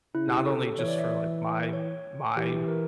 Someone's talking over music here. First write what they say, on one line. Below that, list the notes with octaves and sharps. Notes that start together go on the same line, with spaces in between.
not only just for, like, my my
C#3 E4
G4
A4
E3 C#5
D5
E5
C#5
E3 G4
A#4